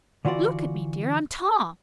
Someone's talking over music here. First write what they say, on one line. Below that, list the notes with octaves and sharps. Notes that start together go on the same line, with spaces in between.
Look at me, dear--I'm Tom.
D3 E3 F4 F#4 D5